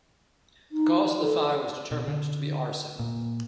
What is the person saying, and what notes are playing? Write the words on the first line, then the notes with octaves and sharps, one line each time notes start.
The cause of the fire was determined to be arson.
D#4
A4
B2
D3
A#2